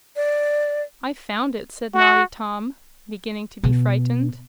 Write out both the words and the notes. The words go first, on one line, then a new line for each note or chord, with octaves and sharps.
"I found it," said naughty Tom, beginning to be frightened.
D5
F#4
B2